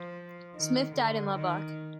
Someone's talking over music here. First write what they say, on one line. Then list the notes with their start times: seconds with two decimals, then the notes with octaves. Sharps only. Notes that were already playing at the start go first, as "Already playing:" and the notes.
Smith died in Lubbock.
Already playing: F3
0.55 D#3
0.95 D3
1.36 D#3